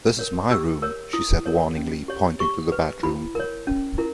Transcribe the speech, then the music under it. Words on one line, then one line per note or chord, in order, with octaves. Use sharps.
"This is my room," she said warningly, pointing to the bedroom.
A#4 C#5
G4 E6
A#4 C#5 E6
E4 D#6
A#4 C#5
C#4
G4 C#5
G4 C#6
B4
E4 B5
A#4 C#5
C#4
E4 A#4